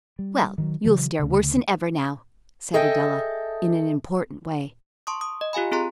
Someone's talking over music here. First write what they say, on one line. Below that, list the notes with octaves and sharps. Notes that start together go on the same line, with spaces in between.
"Well, you'll stare worse than ever now," said Adela, in an important way.
G3
D#3 F3 F#3
C#3 E3 F#3
D2 C#3
G#4 A4 D#5 E5 G5
A5 C6 C#6 D#6
D#6
D#5
F4 G4 F5 G#5 B5
C4 F4 G#4 A#5 C6